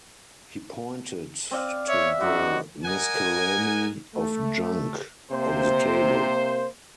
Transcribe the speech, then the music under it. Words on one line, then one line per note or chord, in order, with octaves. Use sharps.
He pointed to the miscellany of junk on the table.
C4 D5 F5
C#5 E5
F#2 D#4 F#4
A#4 D#5 F#5 G#5
A3
C3 A#3 C5